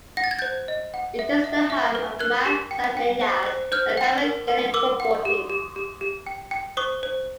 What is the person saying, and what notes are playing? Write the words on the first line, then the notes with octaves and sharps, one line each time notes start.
It is the home of Omagh Saint Enda's and the Tyrone Gaelic football teams.
F#5 A#6
A6
G#6
C5 G6 A6
D#5
F#5
E5
E5
E5
B4
A#4 F#6 G#6
G4
G5
G5
C5
C5
C5 F6 G6
F#5
A#4
A#4
A#4 D6 E6
F#5
G4
G4
G4
G4
G5
G5
C5 C#6 D#6
C5